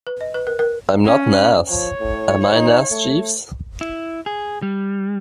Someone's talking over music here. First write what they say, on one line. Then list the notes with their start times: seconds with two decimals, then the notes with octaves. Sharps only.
I'm not an ass. Am I an ass, Jeeves?
0.07 B4
0.21 D#5
0.34 B4
0.47 A#4
0.59 A#4
1.04 C#4
1.70 F3 C#5
2.00 A2
2.54 D#4
2.91 A3
3.81 E4
4.26 G#4
4.62 G3